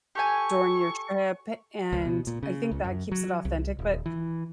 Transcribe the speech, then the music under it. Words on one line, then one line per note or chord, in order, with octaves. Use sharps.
during your trip. And I think that keeps it authentic, but,
G4 A4 G#5 C#6
C#2
B2
A#2
C#3
C#2
F#2
F#3
C2
D#1
E3